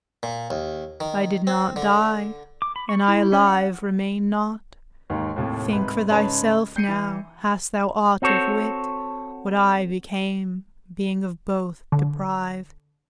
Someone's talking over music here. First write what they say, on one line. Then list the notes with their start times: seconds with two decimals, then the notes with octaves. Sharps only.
I did not die, and I alive remained not; Think for thyself now, hast thou aught of wit, What I became, being of both deprived.
0.23 A#2
0.50 D#2
1.00 D#3
1.47 C4
1.76 D3
2.62 D6
2.76 B5
2.89 C#6
3.08 E4
3.32 C#4
3.47 F#5
5.10 D#2 G#2 D#3
5.36 D#2 A2 C3
5.72 C2 G#2 B4
6.09 G#2 C#3 G#3 B4 C#5 A5
6.76 G6 C7 C#7 D#7
6.88 E3
8.22 C4 F#4 A4 C#5
11.92 D3